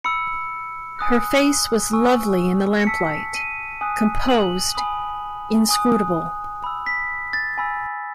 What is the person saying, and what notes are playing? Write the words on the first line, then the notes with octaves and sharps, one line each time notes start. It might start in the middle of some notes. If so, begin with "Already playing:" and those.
Her face was lovely in the lamplight, composed, inscrutable.
B5 E6 C#7
G#5 D#6 F#6
G#5 C#6 E6
C#7
A5 E6 B6
D#7
G#5 D#6 F#6
F#7
G#5 B5 D#6
G#5 D#6 F#6
B5 E6
B6
A6
G#5 B5 E6